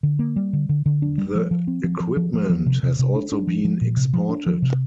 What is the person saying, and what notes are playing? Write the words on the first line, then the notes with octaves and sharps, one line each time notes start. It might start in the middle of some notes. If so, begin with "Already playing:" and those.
The equipment has also been exported.
D3
A#3
G3
D3
D3
D3
D4
G3
F3
F3
C4
F3
F3
F3
F3
F3
C3
C3
C3
D4
D4
F3
F3
A#2
C3
F3
D4
F3
C3